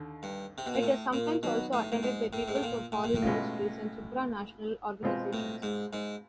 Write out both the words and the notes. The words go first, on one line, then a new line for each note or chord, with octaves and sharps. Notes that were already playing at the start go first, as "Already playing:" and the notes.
It is sometimes also attended by people from foreign ministries and supranational organisations.
Already playing: D#2 D3
G2
C3
B2
A#2
A2
A#2
B2 D#3 F#3 B3
A2
A2
G#2
A2
G#2
A2
A#2
A2
A#2
A2
B2 G#3 C#4 F4
B2 G#3 C4 F4
A2
G#2
G#2